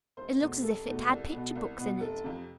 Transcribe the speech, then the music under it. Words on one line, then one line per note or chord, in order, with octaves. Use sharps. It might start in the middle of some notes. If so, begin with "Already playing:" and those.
"It looks as if it had picture-books in it."
F1 C5
E2 B2 A3
F1 A4
E2 B2 A3
C2
B2 B3
C2
B2 B3
F1 A4
F2 C3